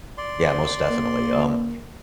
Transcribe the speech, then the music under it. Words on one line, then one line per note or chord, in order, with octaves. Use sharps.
yeah, most definitely, um
D5 C6
A#3